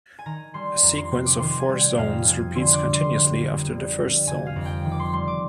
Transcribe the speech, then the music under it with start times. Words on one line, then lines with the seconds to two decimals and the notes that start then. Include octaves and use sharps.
A sequence of four zones repeats continuously after the first zone.
0.19 G#5
0.26 D#3 A#5
0.54 G3 C6
0.82 F2 A#5
0.97 C6
1.11 C3 C6
1.26 D6
1.40 D#3 C6
1.60 G#5
1.69 G3
1.79 G5
1.98 F2 F5
2.26 C3 G#5
2.55 D3 C6
2.74 D6
2.84 G3
2.93 C6
3.13 F1
3.41 F2
3.70 D3
3.98 G3
4.27 F1 G#5
4.46 F5
4.56 F2
4.65 G5
4.84 D#3
4.91 D6
5.00 C6
5.13 G3 C6
5.28 D6